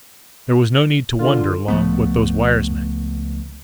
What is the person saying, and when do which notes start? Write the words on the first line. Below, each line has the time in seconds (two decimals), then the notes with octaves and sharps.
There was no need to wonder long what those wires meant.
1.19 D3 F4
1.68 C#2 F3 A3 B3